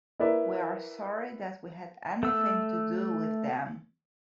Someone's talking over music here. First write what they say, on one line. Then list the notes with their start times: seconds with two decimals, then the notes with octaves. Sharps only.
We are sorry that we had anything to do with them.
0.20 E4 A#4 B4 D5 E5
2.23 A3 E6